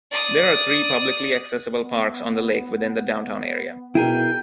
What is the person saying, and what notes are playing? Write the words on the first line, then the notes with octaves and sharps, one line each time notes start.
There are three publicly accessible parks on the lake within the downtown area.
D5 D#6
B3
B2 E4 G#4 A#4 G5